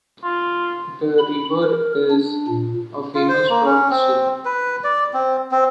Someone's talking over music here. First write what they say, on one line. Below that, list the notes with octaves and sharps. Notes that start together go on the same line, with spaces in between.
The river is a famous trout stream.
F4
B5
A#4
D4
A#2
F4
C5
A#3
C#4
C4
B4
D5
C4
C4